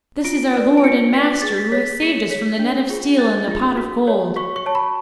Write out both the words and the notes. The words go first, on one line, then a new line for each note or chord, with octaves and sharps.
'This is our lord and master, who has saved us from the net of steel and the pot of gold!'
F4 D7
B4 D5
D7
F4 C#7
B4 D5 B6
G#4 A6
B6
C#5 B6
B6
G#4 C#7
C#5 B6
D4
F4 G#4
D4 A6
F4 G#4
F#4
C#5
F#4 C#6
C#6
C#5 A5
B5